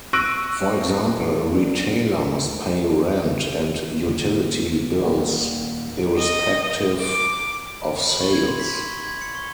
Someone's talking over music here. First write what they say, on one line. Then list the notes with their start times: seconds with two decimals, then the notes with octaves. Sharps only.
For example, a retailer must pay rent and utility bills irrespective of sales.
0.13 C#6 E6 F#6 A#6 D7 D#7
1.54 D4
4.06 D3 A#3
5.01 D#1 A#3
6.18 D#5
7.00 D6
7.97 B5
8.09 F#7
8.21 C#6
8.33 G#6
8.48 C6
8.59 B6
8.74 C6
8.88 C#6
9.04 G#6
9.21 C#7
9.35 C#6